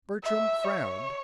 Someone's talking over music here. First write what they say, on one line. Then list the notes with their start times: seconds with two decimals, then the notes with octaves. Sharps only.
Bertram frowned.
0.24 E5
0.64 C#5